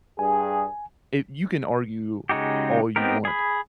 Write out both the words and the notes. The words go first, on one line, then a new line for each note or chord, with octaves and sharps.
i you can argue all you want
G2 G#4 G#5
C#3 G#3 D#4 F#4 G4
B3 C4 D#4 G4 A#4
G#4 B5